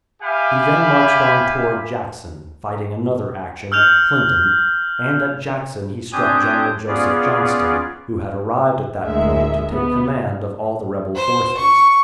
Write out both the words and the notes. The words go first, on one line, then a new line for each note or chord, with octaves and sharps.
He then marched on toward Jackson, fighting another action at Clinton, and at Jackson he struck General Joseph Johnston, who had arrived at that point to take command of all the rebel forces.
G4 E5 F5 G#5 B5
E6 F6 G6 F7
C4 D4 G4 G#5 D#6 G6
B3 C#4 F4 G#4 D5
D2 A2 G#3 A#3 E5
B3
C5
C#6